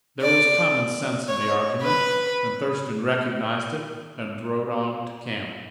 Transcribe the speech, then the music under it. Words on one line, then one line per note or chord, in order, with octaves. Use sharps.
There was common sense in the argument, and Thurston recognized it and rode on to camp.
D5
C#5
B4